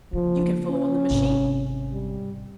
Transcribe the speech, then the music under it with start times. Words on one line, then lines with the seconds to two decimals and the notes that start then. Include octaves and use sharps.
You can follow on the machine?'
0.13 C#3 F3 A#3
0.70 C#4
1.10 G#1 C3
1.93 G3